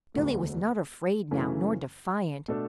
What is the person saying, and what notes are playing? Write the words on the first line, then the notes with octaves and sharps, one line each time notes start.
Billy was not afraid now, nor defiant.
E1 D2 D3 A3
F#2 C#3 E3 A3 C#4
B2 A3 D4 A4